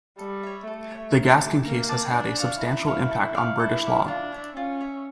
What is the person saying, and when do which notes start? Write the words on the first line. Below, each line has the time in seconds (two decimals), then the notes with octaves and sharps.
The Gaskin case has had a substantial impact on British law.
0.19 G3 A4
0.43 C#5 E5
0.67 A3 A4
0.92 C#5 E5
1.17 A#4
1.41 D5 A5 D6
1.65 A#3 A#4
1.89 D5 A5 D6
2.13 D4 A#4
2.38 C#5 F5
2.61 E4 A#4
2.87 C#5 F5
3.11 A4
3.35 D5 F5 C#6
3.59 E4 A4
3.84 D5 F5 C#6
4.08 D4 F4
4.32 C#5 E5
4.56 C#4 F4
4.81 C#5 E5